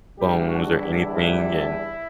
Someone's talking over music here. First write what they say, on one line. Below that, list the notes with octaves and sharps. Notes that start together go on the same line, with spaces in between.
bones or anything and
E2 D3 G3 D4 G4
F#4
E4
E4